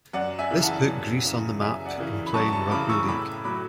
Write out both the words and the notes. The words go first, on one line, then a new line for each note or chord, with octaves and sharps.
This put Greece on the map in playing rugby league.
F#2 D5 F#5
E5 G#5
C#3 E3
F#5 A5
F#2
C#3 E3
F#2 E5 G#5
D5 F#5
C#3 E3
B5
F#2 A5 C#6
A5 C#6
C#3 E3 B5 D6
C#6 E6
A2 B5 D6
F#3 A3 B5 D6